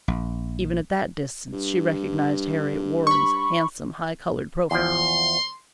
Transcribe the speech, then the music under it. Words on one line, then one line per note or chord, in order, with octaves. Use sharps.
Even at that distance she recognized Harriet Warren's handsome, high-coloured profile.
A#1
G2
B5 C#6
E2 F3 C6